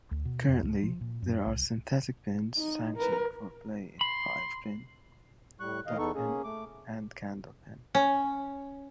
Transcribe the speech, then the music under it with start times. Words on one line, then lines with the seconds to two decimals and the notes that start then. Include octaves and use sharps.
Currently there are synthetic pins sanctioned for play in five-pin, duckpin, and candlepin.
0.11 D2
0.25 B2
0.49 F2
0.62 C#2
0.83 F3
1.01 A#2
1.22 F#2
1.46 C2
2.57 D#4
2.97 A#4 B4
4.01 B5 C6
5.60 A2 G3 C#6 F#6
5.86 D#3 D#5 F5
5.98 E2 B3 D#4 A4 C#6
6.15 A#3 C#4 G#4
6.44 A3 D6
7.95 C#4